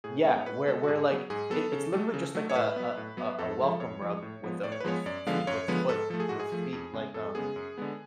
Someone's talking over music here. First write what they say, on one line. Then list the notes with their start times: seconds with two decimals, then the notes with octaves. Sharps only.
yeah, where where, like, it it's literally just like a a a a welcome rug with a with feet with foot with feet, like, um,
0.04 A2 G#4
0.25 G#3 B3 C#5
0.46 A2 B4
0.67 G#3 B3 A4
0.83 F#4
0.88 G#2 G#4
1.09 F#3 B3
1.30 G#2 G#4
1.50 F#3 B3 A4
1.72 C#3
1.92 F#3 A3
2.14 C#3
2.35 F#3 A3
2.50 C#5
2.56 A2 B4
2.76 F#3 B3
2.97 A2
3.17 F#3 B3
3.39 F2 A4
3.60 F3 G#3
3.80 F2 C#5
4.02 F3 G#3
4.22 A2
4.44 F3 G#3 B3
4.64 A2 D5
4.72 C#5
4.80 B4
4.84 F3 G#3 B3 C#5
5.06 F#2 D5
5.27 D3 F3 G#3 B3 F5
5.47 F#2 C#5
5.68 D3 F3 G#3 B3 B4
5.89 G#2 A4
6.10 F3 A3 A4
6.20 G#4
6.29 G#2 F#4
6.40 G#4
6.52 F3 A3
6.73 F2
6.93 C#3 G#3 B3
7.14 F2 A4
7.35 C#3 G#3 B3 G#4
7.56 F#2
7.78 D3 G#3 B3